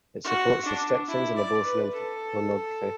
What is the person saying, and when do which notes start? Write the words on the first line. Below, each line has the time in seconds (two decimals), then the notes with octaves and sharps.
It supports restrictions on abortion and pornography.
0.24 F#4
0.65 D4
1.08 E4
1.36 D5
1.65 B4
1.93 A4